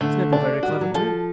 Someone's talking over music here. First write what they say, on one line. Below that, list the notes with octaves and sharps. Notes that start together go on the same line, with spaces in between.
This may be very clever too.
D3 A3
D4
F#4
G3
F#3
F3 A4